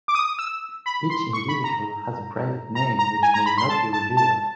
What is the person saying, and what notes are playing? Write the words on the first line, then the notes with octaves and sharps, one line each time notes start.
Each individual has a private name which may not be revealed.
D6
D#6
E6
B5
C6
C#6
B5
A#5
A#5
A#5
G#5
A#5
B5
C6
A5
A5
A5